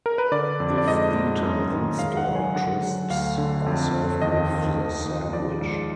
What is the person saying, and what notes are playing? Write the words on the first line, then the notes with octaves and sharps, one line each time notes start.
If eaten in-store, crisps are served with the sandwich.
A#4
B4
D3 D5
F2
D5
G#2 D#5
G#2
F#2
D#3
G#2 F5
F#5
F#3
G#5
D3 F#5
F#3
D2 F5
D3
F2
F2
D#2 D#5
D#3
D#2
D#2
F3 D5
G#2